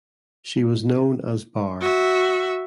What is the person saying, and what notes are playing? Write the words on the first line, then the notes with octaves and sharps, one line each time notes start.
She was known as "Bar".
F#4 E5